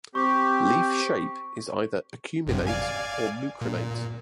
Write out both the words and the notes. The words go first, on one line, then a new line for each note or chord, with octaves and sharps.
Leaf shape is either acuminate or mucronate.
C4 G4 C#6
G1 F#2 C3
D5 F5 G#5
A#2